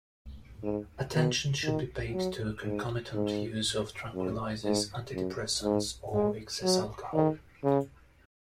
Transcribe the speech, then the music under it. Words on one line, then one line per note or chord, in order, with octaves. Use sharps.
Attention should be paid to concomitant use with tranquillizers, antidepressants or excess alcohol.
G#2
B2
D#3
F#3
G#2
G#2
F#2
G#2
F#2
G#2
G#3
F#3
D#3
C#3